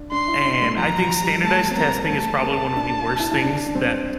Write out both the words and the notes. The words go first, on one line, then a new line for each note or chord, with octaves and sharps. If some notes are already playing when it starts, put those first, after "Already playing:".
and I think standardized testing is probably one of the worst things that
Already playing: D4
D4 C6
E4
D4
A3
F3 A#5
F3
G3
A3 A5
C4
A#3 A#5
A3 A5
A#3
D4
E4
E4
D4
D4
C4